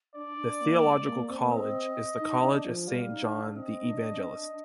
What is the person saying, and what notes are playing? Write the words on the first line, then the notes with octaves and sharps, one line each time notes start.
The theological college is the College of Saint John the Evangelist.
D4 D5
D4
A#3
G#3
A#3
C4
A#3
C4 D#5
D#4
D4
F3
G3 F5
D#4
D4
C4 D#5
D#4
D4
C4
D4